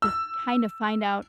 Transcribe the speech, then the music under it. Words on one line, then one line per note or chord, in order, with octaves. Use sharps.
if kinda find out
E6